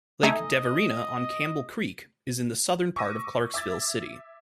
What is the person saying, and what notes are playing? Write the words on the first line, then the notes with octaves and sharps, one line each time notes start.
Lake Deverina on Campbell Creek is in the southern part of Clarksville City.
A3 D#4 D#5 E5 G#5
C#6 D6 E6 A#6 D#7
E5 D6 G#6 A6